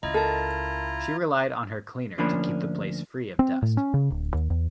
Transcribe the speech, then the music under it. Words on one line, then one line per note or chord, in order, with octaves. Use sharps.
She relied on her cleaner to keep the place free of dust.
C#2 E4 F4 D#5 A#5
A4 A#4 A5
D2 F3 A#3 C#4 D4 B5
C4
A2
C#4
C#3
D1
D#2
E2